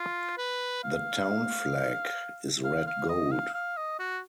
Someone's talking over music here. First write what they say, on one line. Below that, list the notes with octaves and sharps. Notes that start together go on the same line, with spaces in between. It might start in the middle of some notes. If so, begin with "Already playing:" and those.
The town flag is red-gold.
Already playing: F4
B4
F5
F5
F5
D#5
F5
F5
D#5
F#4